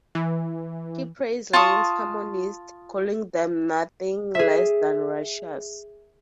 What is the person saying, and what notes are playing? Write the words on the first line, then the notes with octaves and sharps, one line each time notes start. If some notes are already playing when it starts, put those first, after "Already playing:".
He praised Lynne's harmonies, calling them nothing less than righteous.
E3
F4 A5 C#6 D#6
G#4 E5